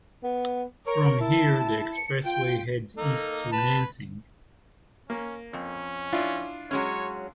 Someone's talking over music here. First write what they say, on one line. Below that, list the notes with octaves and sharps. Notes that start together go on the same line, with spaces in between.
From here, the expressway heads east through Lansing.
B3
A#4 C#5
E4 A5
C#7
F4 G5
A#3 D#4 A4
B4 A5
A#3 C#4
F2 C#4
D4 E4 F4
F#3 G#3 C#4 C#5